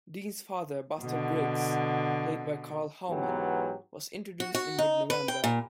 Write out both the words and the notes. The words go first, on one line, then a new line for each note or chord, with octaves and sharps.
Dean's father Buster Briggs, played by Karl Howman, was introduced in mid November.
B2 D3
G#2 E3 F#3 B3 G4
F#4
F#4
D#4
B4
G5
A#2